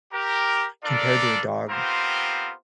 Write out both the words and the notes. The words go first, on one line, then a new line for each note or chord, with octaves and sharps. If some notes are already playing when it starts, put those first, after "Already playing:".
compared to a dog,
G4 A#4
D4 F4 A4 A#4 D5
B3 C4 F4 G4 A#4 C5